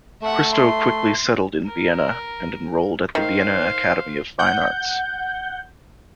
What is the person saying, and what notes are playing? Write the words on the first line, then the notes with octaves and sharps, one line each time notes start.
Christo quickly settled in Vienna and enrolled at the Vienna Academy of Fine Arts.
A3 E5 F#5
C6
A#4
D#3 C5 F5
F#5 G6